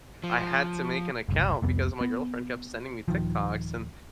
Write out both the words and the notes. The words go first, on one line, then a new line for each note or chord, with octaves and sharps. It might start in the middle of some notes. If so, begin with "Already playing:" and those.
I had to make an account because my girlfriend kept sending me TikToks, and
F3
F#1 C2
C2 F2 B3
B3
D#1 D#3 F3